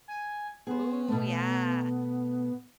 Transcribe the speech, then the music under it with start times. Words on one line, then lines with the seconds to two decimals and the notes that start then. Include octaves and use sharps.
Ooh, yeah.
0.08 G#5
0.67 B3 G#4 C5
1.08 B2 A3